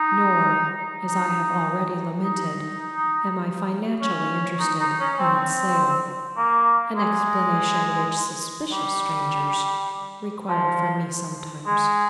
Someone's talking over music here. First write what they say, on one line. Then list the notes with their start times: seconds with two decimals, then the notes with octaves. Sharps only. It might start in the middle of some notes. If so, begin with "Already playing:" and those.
Nor, as I have already lamented, am I financially interested in its sale, an explanation which suspicious strangers require from me sometimes.
Already playing: D#4
1.07 D#4
2.25 D#4
4.02 C#4
4.60 D#4
4.80 D#4
5.00 C#4
5.19 C4
6.37 A#3
6.96 G#3
8.72 G3
10.49 F3
11.66 G#3